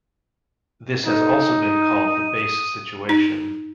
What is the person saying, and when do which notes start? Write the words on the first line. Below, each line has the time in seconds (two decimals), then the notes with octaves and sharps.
This has also been called the base situation.
1.07 D#4 A4
1.62 D#6
3.09 D#4